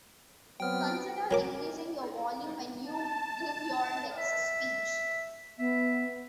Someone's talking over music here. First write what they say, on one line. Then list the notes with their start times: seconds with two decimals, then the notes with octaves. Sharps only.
Consider increasing your volume when you give your next speech.
0.60 F#3 B3 C4 G5 F6
1.31 F#3 A#4 D6
2.84 A5
4.18 E5
5.59 B3 E5